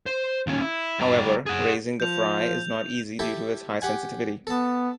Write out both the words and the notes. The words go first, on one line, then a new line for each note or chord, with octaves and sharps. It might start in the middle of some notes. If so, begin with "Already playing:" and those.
However, raising the fry is not easy due to its high sensitivity.
C5
D#2 C#4
E4
G3 A#5
G#4 F#5
F3 G6 F7
E4 G4 A4
G4 F#5 G#5
B3 A4 A5